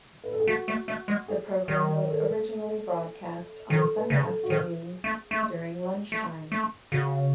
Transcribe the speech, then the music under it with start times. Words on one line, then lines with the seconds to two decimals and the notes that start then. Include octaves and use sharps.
The programme was originally broadcast on Sunday afternoons during lunchtime.
0.24 B4
0.32 A4
0.40 G#4
0.47 A3 F#4
0.68 A3
0.88 A3
1.08 G#3
1.28 G#4
1.68 D#3
2.09 A4
3.70 D#3 A4
3.97 B4
4.10 C#3
4.24 A4
4.43 F#4
4.50 D#3 G#4
5.04 A3
5.31 A3
6.12 A3
6.52 A3
6.92 C#3 F#4